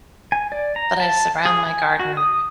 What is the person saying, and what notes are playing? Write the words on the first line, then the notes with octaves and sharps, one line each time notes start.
but I surround my garden
G#5
D5
A#5
A5
G#4
G#5
F#4
D#6